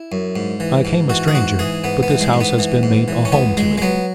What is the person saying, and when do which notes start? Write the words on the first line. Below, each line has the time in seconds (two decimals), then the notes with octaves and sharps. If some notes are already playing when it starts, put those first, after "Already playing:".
"I came a stranger, but this house has been made a home to me."
Already playing: E4
0.12 F#2
0.36 G#2
0.60 E3
0.85 G#2
1.10 E3 F#4
1.28 G#4
1.35 G#2 F#4
1.59 E3 G#4
1.84 G#2 B3
2.03 B3
2.10 E3
2.21 G#3
2.33 G#2
2.41 B3
2.59 E3
2.83 G#2
3.08 E3
3.25 C#4
3.32 C#2 B3
3.57 C#2 G#3
3.78 G#3
3.82 F#3 B3